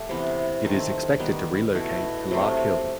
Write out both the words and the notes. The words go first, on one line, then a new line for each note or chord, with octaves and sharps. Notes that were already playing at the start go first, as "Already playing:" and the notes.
It is expected to relocate to Larkhill.
Already playing: A3 G4
C3 E3 B3
D#3 A3 C4
D#3 G3 B3
B2 A3 E4
C3 F#3 A3 C4